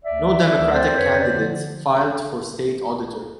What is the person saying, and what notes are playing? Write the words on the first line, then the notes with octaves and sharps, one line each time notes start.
No Democratic candidates filed for State Auditor.
D2 D5 E5
F3
F3
D2
C4 C5 D5
F2
B4 C#5
D3
C5 D5
D3
F3
F3